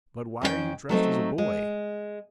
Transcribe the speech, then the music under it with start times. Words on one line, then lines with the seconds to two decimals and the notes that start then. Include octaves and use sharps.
"But why are you dressed as a boy?"
0.42 F2 C#4 E4 G5
0.89 F#3 A3 C4 D#4
1.38 G#3